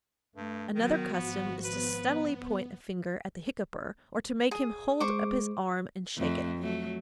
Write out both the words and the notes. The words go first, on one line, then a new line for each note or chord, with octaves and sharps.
Another custom is to steadily point a finger at the hiccougher, or to make him hold up his arm and shake it.
G2 A3
D#3 F#3 B3 F#4
G#1 F3 B3
B3 B4
G#4
G#3 C5 C#6 D6
F2 A3
F#3 A3